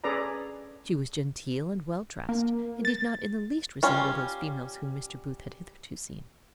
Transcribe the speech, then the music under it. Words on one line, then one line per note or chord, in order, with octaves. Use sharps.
She was genteel and well drest, and did not in the least resemble those females whom Mr. Booth had hitherto seen.
C#4 G#4 A4 B4 D5 A#5
A#3
A6
G3 C#4 F4